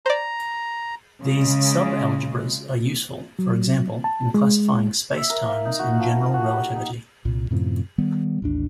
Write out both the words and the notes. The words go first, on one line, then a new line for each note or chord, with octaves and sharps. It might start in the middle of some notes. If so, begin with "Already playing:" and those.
These subalgebras are useful, for example, in classifying spacetimes in general relativity.
C5 D5 A#5
C#3 G#3
F#3
A5
G#3
E5
A#4
F5
D#4
F#4
F3
F#4
G4
D#4
C2 A#2
F#2 A2 C3 F3
D#3 G3 B3
A1 D#2 D4